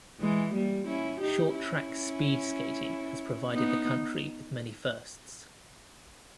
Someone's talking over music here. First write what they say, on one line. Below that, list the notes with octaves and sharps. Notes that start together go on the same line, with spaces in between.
Short track speed skating has provided the country with many firsts.
E3 G#3
G3 A#3
C#4 E4
D#4 G4
C#4 E4
B3 D#4